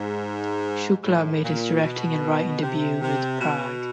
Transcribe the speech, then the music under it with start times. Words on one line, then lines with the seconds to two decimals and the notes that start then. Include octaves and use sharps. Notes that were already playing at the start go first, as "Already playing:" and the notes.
Shukla made his directing and writing debut with "Prague".
Already playing: G#2
1.04 A2
1.43 A#2
1.82 B2
2.62 C3
3.01 C3
3.41 B2